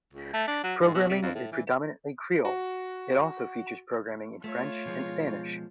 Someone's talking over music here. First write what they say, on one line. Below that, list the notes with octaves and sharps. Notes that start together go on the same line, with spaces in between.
Programming is predominately Creole, it also features programming in French and Spanish.
C#2
A3
D4
F#3
G#2
B2
C3
F2
A2
E3
F#4
A3 F4 C#5
B2 F3 G#3